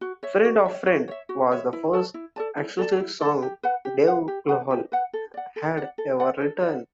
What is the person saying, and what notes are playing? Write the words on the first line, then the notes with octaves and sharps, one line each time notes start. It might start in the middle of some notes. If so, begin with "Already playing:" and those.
"Friend of a Friend" was the first acoustic song Dave Grohl had ever written.
F#4
C#5 E5
F#4
C#5 E5
F#4
C#5 E5
F#4
C#5 E5
E4
A4 D5 A5
E4
A4 D5 A5
E4
A4 D5 A5
E4
A4 D5 A5
G4
B4 F#5
G4
B4 F#5
G4
B4 F#5
G4
B4 F#5
A4
D5 F#5
A4
D5 F#5
A4
D5 F#5
A4
D5 F#5